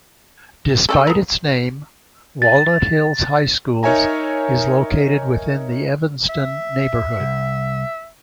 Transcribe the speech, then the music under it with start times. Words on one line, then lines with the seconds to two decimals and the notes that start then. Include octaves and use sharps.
Despite its name, Walnut Hills High Schools is located within the Evanston neighborhood.
0.89 C#4 D4 G4 A4
1.07 B3 A#4
2.42 A6
3.83 D#4 A#4 C#5 E5 G#5 A#5
6.30 E5
7.20 C2